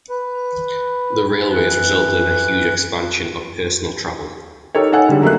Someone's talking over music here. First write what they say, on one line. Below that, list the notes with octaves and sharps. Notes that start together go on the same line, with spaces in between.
The railways resulted in a huge expansion of personal travel.
B4
E3 F#6
D#4 G4 A4 A#4 C#5
D#4 A4 C#5 F#5 G#5
D3 G3 G#3
F#3 A3 A#3 D#4 F#6